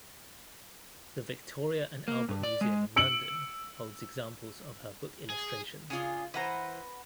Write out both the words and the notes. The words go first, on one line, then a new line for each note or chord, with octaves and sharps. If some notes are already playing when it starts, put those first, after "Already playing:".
The Victoria and Albert Museum in London holds examples of her book illustrations.
A#3
G2
D5
G#3
E6 C#7 D7 F#7
G#4
C#3 D4 F4 G#4
E3 B4 C5 F#5 A#5